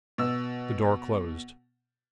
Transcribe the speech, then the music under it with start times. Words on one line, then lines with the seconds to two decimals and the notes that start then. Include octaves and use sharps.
The door closed.
0.18 B2 E6